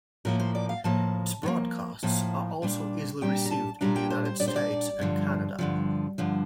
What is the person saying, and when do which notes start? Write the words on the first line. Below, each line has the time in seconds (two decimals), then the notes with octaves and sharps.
Its broadcasts are also easily received in the United States and Canada.
0.25 A2 F3 A#3 A#4
0.40 C5
0.55 D5
0.69 F5
0.84 A2 F3 A#3 A5
1.43 A2
1.46 F3 A#3
2.03 A2 F3 A#3 A5
2.62 A#2 G3 D4
3.21 A#2 G3 D4 G5
3.46 A#5
3.51 A5
3.81 A#2 G3 D4 A#5
3.96 G5
4.10 C5
4.25 C5
4.40 A#2 G3 D4 D5
4.48 C5
4.56 D5
4.99 G2 D3 F3
5.59 G2 D3 F3
6.18 G2 D3 F3